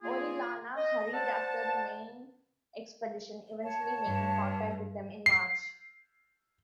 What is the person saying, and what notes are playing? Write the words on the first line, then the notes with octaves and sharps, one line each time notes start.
Orellana hurried after the main expedition, eventually making contact with them in March.
A#3 F4 G#4
D#5
C5 D5 F#5 A5
C#5 A5
G2
C7